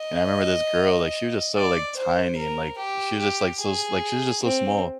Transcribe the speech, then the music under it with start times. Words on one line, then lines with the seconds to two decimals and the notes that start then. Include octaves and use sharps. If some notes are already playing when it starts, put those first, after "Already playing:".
and I remember this girl, like, she was just so, like, tiny, and, like, she was just, like, so s like she's just so small,
Already playing: D#5
1.55 D5
1.96 C5
2.37 A#4
2.78 G4
3.19 G4
3.60 G#4
4.43 C4